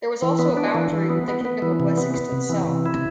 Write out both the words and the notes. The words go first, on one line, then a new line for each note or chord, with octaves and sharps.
There was also a boundary with the kingdom of Wessex to the south.
E3
B3
D4
E3
E3
B3
B3
B3
E3
C3
B3
B3
C3
E3
C3
E4